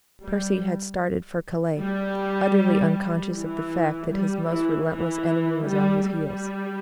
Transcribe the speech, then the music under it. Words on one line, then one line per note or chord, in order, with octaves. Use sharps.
Percy had started for Calais, utterly unconscious of the fact that his most relentless enemy was on his heels.
G3
G3
E3
G3
E3
E3
G3
G3